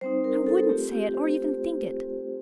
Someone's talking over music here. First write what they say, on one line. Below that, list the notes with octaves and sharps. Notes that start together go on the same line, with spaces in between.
I wouldn't say it, or even think it.
G3 C4 D#4 C5
A#4
A4
A3 C4 F4 G4
G4
C5